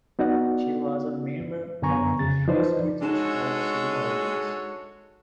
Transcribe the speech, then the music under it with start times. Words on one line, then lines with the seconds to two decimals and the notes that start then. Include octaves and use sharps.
She was a member of the first British of submarines.
0.19 B3 D#4 F#4 D5 F#5
1.82 F#2 D3 B3 G#5 A#5 C#6
2.19 F2 C#3 A6
2.48 F3 D#4 B4 C5 D5 D#5
3.02 G#3 D4 D#4 F#4 A4 C#5 E7